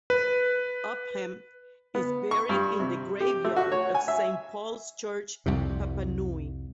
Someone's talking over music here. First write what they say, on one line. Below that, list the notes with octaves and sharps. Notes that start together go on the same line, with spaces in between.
Upham is buried in the graveyard of Saint Paul's Church Papanui.
B4
B3
C#6
G2
C3
G4
A3
F#4
C#5
G#5
E5
C2 F2 C3